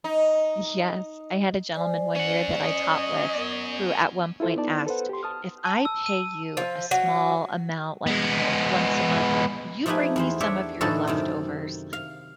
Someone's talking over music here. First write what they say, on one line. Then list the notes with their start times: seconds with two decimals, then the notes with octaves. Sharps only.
Yes. I had a gentleman, one year, that I taught with, who at one point asked, "If I pay you a small amount, like, you know, once a month, w will you bring me some of your leftovers?"
0.04 D#4
1.76 C5 D5 G#5
2.16 C#4 F#5
2.62 D#5
3.35 B3 A#4
4.40 E4 F4 A4 C5
4.56 B3 D#4 D5 A5
4.87 A4 B4 C5 F#5
5.09 G4 C6
5.23 A5 D#6 F6
5.65 A5
5.85 E6
6.06 D#7
6.57 F3
6.91 F#3
8.07 G#3 B3
9.86 F3 A3 D#4 G4 B4 G#5
10.16 E2 E3 C5
10.40 D4 G4 C#5 E5
10.81 A2 D3 E3 D#4 F#4 A4
11.07 F#2 C3 D#3
11.93 F5